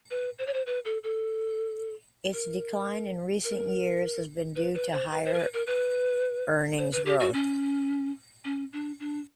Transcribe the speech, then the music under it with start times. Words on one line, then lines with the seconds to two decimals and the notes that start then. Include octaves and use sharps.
Its decline in recent years has been due to higher earnings growth.
0.11 B4
0.38 C5
0.47 C#5
0.53 C5
0.66 B4
0.85 A4
1.03 A4
2.33 A#4
3.44 A#4
4.56 B4
4.74 B4
4.92 C5
5.11 B4
5.25 C5
5.34 A#4
5.38 B4
5.53 A#4
5.67 B4
6.78 C5
6.92 B4
7.06 G4
7.20 F#4
7.33 C#4
8.45 C#4
8.73 D4
9.00 D4